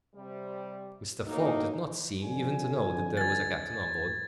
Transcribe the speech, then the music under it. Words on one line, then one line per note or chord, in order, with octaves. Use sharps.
Mr. Fogg did not seem even to know that there was a captain on board.
C3 G3
A2 F#3 A#3 D#4
F2 D3 G#5
G#6 A6